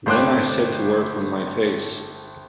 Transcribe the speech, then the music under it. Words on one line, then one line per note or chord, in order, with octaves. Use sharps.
Then I set to work on my face.
G1 A3 C5 G5 D6 F#6